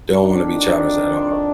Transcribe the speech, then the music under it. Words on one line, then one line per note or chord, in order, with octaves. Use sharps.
Don't wanna be challenged at all.
F2 D#3 D4